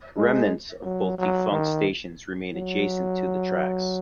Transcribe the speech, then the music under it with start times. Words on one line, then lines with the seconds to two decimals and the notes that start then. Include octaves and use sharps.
Remnants of both defunct stations remain adjacent to the tracks.
0.17 G#3
0.84 F#3
1.18 F#3
1.52 D#3
2.54 F#3